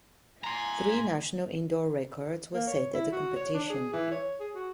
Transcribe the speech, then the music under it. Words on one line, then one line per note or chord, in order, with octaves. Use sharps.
Three national indoor records were set at the competition.
G#5 A#5 C6
A#3
C#5
E4
F#4
C#5
D4
G#4
E3
C#5
G#4
F#4